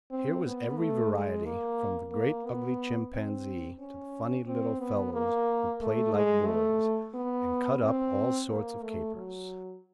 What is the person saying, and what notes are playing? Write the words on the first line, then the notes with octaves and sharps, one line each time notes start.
Here was every variety, from the great ugly chimpanzee to the funny little fellows who played like boys, and cut up all sorts of capers.
C4
B3
A3
G#3
A#3
A#3
B3
C4
C#4
C4
B3
A#3
A3
G#3
A3
B3
C4
A#3
A3
F#3